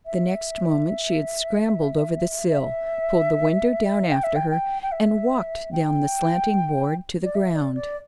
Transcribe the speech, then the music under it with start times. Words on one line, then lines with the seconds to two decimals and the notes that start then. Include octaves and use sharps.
The next moment she had scrambled over the sill, pulled the window down after her, and walked down the slanting board to the ground.
0.06 E5
2.48 E5
4.11 G5
4.23 E5
4.36 G5
4.51 G5
4.82 G5
4.92 E5
5.72 G5
7.24 D5
7.35 E5
7.55 D5
7.75 D5